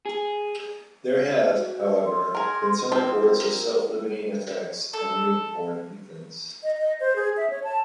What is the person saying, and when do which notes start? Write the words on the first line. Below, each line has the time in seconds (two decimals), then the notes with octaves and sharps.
There have, however, been some reports of self-limiting effects on newborn infants.
0.06 G#4
1.52 F#4
2.05 C6
2.35 G#4 A#4
2.92 F3 C4
3.31 A#4
4.93 A4
6.63 D#5
6.77 D#5
7.00 C5
7.16 G#4
7.37 E5
7.50 C#5
7.64 A5